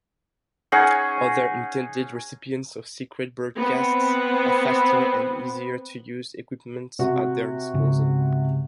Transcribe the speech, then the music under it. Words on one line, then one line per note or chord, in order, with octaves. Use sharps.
Other intended recipients of secret broadcasts have faster and easier-to-use equipment at their disposal.
C#4 D#4 G#4 F#5
B3 C4
C3 F#4
G#2 C#3